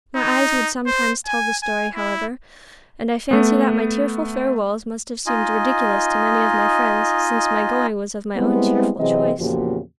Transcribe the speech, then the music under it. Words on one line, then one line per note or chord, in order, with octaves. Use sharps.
My eyes would sometimes tell the story, however, and I fancy that my tearful farewells must have seemed ridiculous to many of my friends, since my going was of my own cheerful choice.
D#4
C5
G#5
G#5
E4
A3 B3
D#4 F4 D#5 G#5
G3 G#3 B3 C4 E4
C3 E3 F#3 C4 G#4 D#5
E2 A#2 C#3 F3 F#4 G4